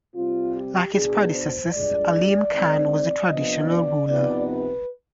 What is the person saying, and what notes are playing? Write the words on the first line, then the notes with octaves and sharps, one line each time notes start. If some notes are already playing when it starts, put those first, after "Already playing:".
Like his predecessors, Alim Khan was a traditional ruler.
C3 G3 C4 F4
G4
B2 B3 D4 G#4
C5
G2 F3 G#3 D4 D5
D#3 G#3 C4
C3 F3 B3 D4 D#5
D5
C3 F3 B3 D#4 D5
B4